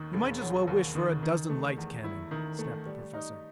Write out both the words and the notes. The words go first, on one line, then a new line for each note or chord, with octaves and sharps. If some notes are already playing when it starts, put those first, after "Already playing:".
"You might as well wish for a dozen light cannon!" snapped the Professor.
Already playing: D#2 D#3
E1
F#3
D#2
D#3
D#3
A3
E2
E4
D#3
A3
G3
D#4